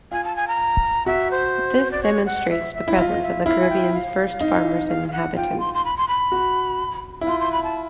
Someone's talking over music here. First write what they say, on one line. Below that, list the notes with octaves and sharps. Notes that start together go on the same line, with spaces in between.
This demonstrates the presence of the Caribbean's first farmers and inhabitants.
F4 G#5
A5
G#5
A#5
F#4 E5
C5
D5
C#5
F#5
E5
E5
E4
F4 D#5
D#5
E5
E4 F5
G#5
G5
F5
D#4
F5
F5
F#5
F4 G5
C6
C6
B5
C6
B5
F#4
E4
F4 C6
C6
B5
A5